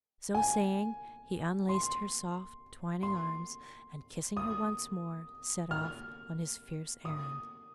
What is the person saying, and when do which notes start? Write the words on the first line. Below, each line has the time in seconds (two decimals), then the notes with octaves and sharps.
So saying, he unlaced her soft twining arms, and kissing her once more, set off on his fierce errand.
0.35 G#5
1.69 C6
3.03 C6
4.37 D#6
5.71 F6
7.05 D#6